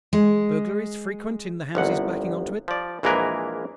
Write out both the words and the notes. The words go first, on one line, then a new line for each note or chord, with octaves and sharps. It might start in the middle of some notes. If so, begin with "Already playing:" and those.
"Burglaries frequent in the houses backing on to it?"
G#3
G1 C2 F#5
F3 D5
A#1 E3 G#3 A#3 A#4 B4